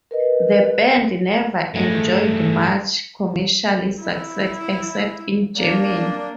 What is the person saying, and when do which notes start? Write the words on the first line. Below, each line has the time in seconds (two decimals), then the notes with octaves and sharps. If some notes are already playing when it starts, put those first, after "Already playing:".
The band never enjoyed much commercial success, except in Germany.
0.11 A#4 B4 D#5
1.74 G2 G#3 A3
4.01 E4
5.57 A#3 D4